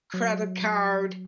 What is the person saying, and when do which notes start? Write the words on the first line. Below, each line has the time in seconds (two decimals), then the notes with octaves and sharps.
credit card
0.14 F#3